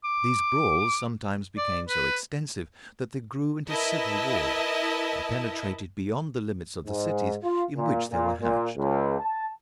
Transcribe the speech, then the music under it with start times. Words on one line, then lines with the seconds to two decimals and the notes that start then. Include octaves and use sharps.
These brawls sometimes became so extensive that they grew into civil war, and penetrated beyond the limits of the cities in which they were hatched.
0.05 D6
1.58 D5
1.89 B4
3.69 E4 A#4 B4 D#5 E5 A5
6.86 G#2
7.43 F4
7.77 A#2
8.10 A#2
8.41 A#2
8.77 C#2
9.19 A5